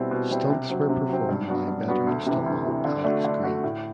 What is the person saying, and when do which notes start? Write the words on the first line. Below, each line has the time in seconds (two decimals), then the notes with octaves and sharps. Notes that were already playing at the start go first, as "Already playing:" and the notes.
Stunts were performed by veteran stuntman Alex Green.
Already playing: B2 G3 C4 E4
0.11 B2
0.31 G3 C4 E4
0.50 C3
0.70 F#3 C4
0.89 C3
1.09 F#3 C4
1.29 G2
1.48 F#3 B3 D4 F#4
1.68 G2
1.87 F#3 B3 D4 F#4
2.07 D2
2.26 C3 E3
2.46 D2
2.65 C3 E3
2.84 D3
3.04 A3 D4 F#4
3.24 D3
3.44 A3 D4 F#4
3.64 A2